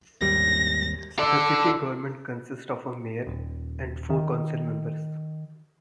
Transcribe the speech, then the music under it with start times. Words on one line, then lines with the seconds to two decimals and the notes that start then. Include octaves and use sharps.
The city government consists of a mayor and four council members.
0.21 G#1 D#2 G3 A#6
1.19 A4 D5
3.27 D#1
4.10 D#3